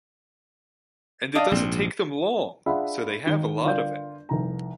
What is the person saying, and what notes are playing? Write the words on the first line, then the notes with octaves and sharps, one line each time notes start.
And it doesn't take them long, so they have a lot of it.
D4 D#5 F5
A#1 G#2 C4
D4 F4 G#4 E5 F#5 B5
G#1 D#3 G7
G1 F4 A#4 D5 G6
F1 C2 A#5